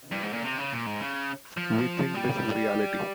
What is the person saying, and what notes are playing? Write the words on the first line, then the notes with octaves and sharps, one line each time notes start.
We think this is reality.
G2
G#2
A#2
C3
C#3
A#2
G#2
C#3
F3
G3